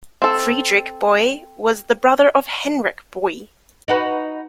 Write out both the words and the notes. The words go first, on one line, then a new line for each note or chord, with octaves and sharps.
Friedrich Boie was the brother of Heinrich Boie.
C4 A4
D#4 F#4 B4